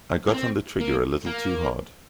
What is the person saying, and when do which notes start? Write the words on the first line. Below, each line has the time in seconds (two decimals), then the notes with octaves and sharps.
I got on the trigger a little too hard.
0.28 A#3
0.34 C4
0.80 A#3
1.26 A#3